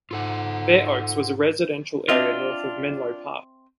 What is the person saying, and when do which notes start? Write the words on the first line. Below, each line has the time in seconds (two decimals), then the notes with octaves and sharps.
Fair Oaks was a residential area north of Menlo Park.
0.11 G#2 F4 A4 F#5
2.09 C4 D4 F4 D#5 E5